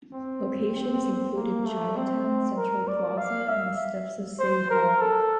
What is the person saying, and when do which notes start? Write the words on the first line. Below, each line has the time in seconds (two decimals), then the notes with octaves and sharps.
Locations included Chinatown Central Plaza and the steps of City Hall.
0.13 C4
0.74 C4
1.36 A#3
1.66 A3
1.96 C4
2.57 A#4
2.88 D5
3.18 F5
3.49 E5
4.39 C5
4.70 A#4
5.01 A4